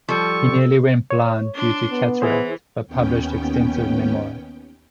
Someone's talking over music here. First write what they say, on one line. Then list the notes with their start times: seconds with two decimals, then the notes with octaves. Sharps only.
He nearly went blind due to cataract but published extensive memoirs.
0.09 F3 G3 A4 C#6
1.11 C#5
1.55 D4 C6
1.90 B3
2.22 E3 E4 G#4 C5
2.87 D#2 B3 C#4 G5